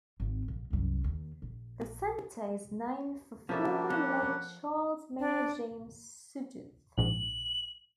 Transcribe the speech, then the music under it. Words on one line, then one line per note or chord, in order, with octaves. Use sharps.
The center is named for former Lake Charles Mayor James Sudduth.
G#1 C4
A#1
C2 F#2
D#2
A#1
F3 G3 A#3 C#4 D4 A4 E5 A5
C4 C#4 C5 F#5
D4
A#1 G#2 F#7